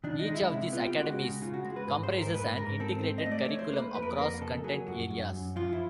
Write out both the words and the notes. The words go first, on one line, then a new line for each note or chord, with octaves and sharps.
Each of these academies comprises an integrated curriculum across content areas.
D#3 D4
D#4
G#3
E4
C3 E4
B3 F4
G4
G#3 F#4
F#4
C#3
C#3 F4
F#4
G#3 F#4
B4
G#2 B4
C5
G#2
A#4
G#2 B4
G#2 A#4
C4 A4
C4
D#5
A3
D5
A3 C#5
C5
A#3 B4
F2 B4
A#4
B4
A#3 A#4
C#3 A4
F#3 G#4
F#2 F#4
F#2
F#2
F3 F4
E4